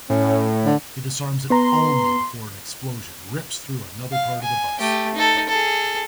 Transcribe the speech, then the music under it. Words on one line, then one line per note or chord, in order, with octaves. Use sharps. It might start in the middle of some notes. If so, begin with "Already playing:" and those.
He disarms it only before an explosion rips through another part of the bus.
A2 C#4
D3
B3 B4 A#5 C6
F5
G#5
A3 G4
D#4 A4
G#4 A4